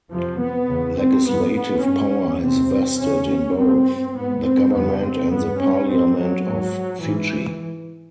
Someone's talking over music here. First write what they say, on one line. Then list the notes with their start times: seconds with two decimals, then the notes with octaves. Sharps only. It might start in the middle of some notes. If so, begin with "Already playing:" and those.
Legislative power is vested in both the government and the Parliament of Fiji.
0.10 F2 C3 F3
0.40 B3
0.68 E2 C#3
0.97 C4
1.26 G2 B3
1.55 B3
1.83 G2 C#4
2.42 E2 C3 C4
2.99 E2 C#3 C#4
3.57 G2 C4
4.15 G#2 B3
4.44 C4
4.73 F2 C#3 B3
5.02 C4
5.30 G2 B3
5.59 C#4
5.88 G#2 C4
6.17 F#3
6.46 G#2
7.04 G#2 E3